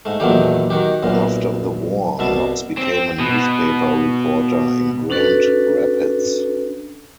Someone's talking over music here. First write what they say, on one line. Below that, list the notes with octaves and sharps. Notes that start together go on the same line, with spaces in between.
After the war, Knox became a newspaper reporter in Grand Rapids.
G#2 A3
A#1 E2 D#3 F#3 A3 G4
D#3 F#4 G4
B1 F#2 A#2
C2 B2 E5 A5
C4
B2
C#4 D4 F#4 A4 B4